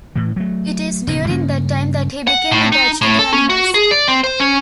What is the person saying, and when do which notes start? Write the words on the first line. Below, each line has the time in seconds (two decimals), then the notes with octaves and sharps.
It is during that time that he became attached to animals.
0.16 A2 E3
0.36 F#3 A3
1.07 F#1 B2 D#3 F#3
1.29 G2 C#3 A#3 C#4
2.27 F#5
2.51 A2
2.72 D#4
3.01 A2
3.19 A4
3.33 C#4
3.50 F#4
3.74 G#4
3.91 D5
4.08 C4
4.24 C5
4.40 C#4